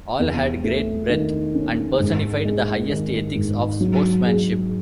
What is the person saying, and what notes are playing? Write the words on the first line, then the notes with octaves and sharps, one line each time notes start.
All had great breadth and personified the highest ethics of sportsmanship.
E2
A3
D#3
C#4
G#2
G#3
D#3
G#2
F#3
G#4